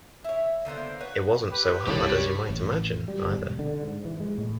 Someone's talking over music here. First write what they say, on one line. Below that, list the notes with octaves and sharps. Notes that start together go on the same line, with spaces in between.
It wasn’t so hard as you might imagine, either.
E4 C#5
D3 A#3 B3 C5
B4 C#5 F#5
G4 B4
C2 D4 E4 G4 C#5 B5
A1
G3
G1
E1
D3
G#2
E3
G#3
A2